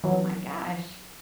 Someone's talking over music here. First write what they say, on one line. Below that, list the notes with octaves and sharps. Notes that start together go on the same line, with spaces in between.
Oh my gosh.
E3 F#3